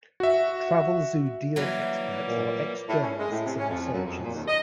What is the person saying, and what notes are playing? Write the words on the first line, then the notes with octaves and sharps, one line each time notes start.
Travelzoo Deal Experts are ex-journalists and researchers.
F#4 E5
E3 F#3 G3 A#3
A#2
A2
C#4
G#3
A2
C3
C#4
F2
F#2
F2
A#2
D#2
D#5